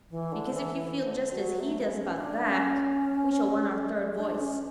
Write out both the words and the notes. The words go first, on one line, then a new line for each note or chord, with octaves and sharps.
Because if you feel just as he does about that, we shall want our third voice.
E3
D3
E3
E3
D3
F#3
A3
B3
C#4
D4
C#4
D4
C#4